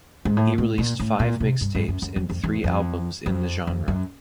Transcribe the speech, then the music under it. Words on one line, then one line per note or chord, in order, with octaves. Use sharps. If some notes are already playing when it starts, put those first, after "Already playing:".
He released five mixtapes and three albums in the genre.
G#2
A2
A2
A#2
A2
A#2
C3
G2
G2
F#2
F#2
F2
F2
E2
F2
F2
F2
F#2